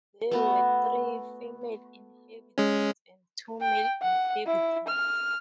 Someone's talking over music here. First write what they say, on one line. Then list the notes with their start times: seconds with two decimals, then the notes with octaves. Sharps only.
There were three female inhabitants and two male inhabitants.
0.31 A3 B3 F#4
2.58 G#3 C#4
3.61 G5
4.02 F#5
4.46 E4
4.88 F6